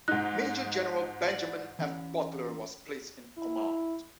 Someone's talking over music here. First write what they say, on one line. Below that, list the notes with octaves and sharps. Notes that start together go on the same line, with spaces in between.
Major General Benjamin F. Butler was placed in command.
G#2 D#4 F#6
D5
E3 C#4
E4